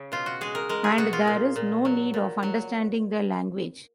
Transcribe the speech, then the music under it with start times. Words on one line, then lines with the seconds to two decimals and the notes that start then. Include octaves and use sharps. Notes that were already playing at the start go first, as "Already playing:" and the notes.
And there is no need of understanding the language.
Already playing: C#3 C#4 G#4
0.12 B2 F4
0.26 F#4
0.41 G#3 G#4
0.55 A#4
0.69 G#3 A#4
0.84 G#4
0.98 B2 F#4
1.13 F4
1.27 A#2
1.56 A#2
1.85 F#3
2.14 A#2
2.43 F#3